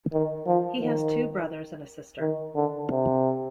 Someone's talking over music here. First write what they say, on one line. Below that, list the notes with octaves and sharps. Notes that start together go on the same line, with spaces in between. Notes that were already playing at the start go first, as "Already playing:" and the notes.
He has two brothers and a sister.
D#3
F3
D#3
D#3
D3
C3